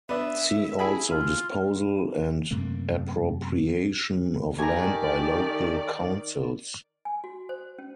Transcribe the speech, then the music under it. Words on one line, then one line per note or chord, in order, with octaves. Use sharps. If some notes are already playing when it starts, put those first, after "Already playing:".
See also Disposal and Appropriation of Land by Local Councils.
B3 D4 E5
E4 G#4 B5
F4
F#2 C3 A3 A#3
D#3 A3 G4 D5 G#5 A#5
G#5
F#4
C5
C#4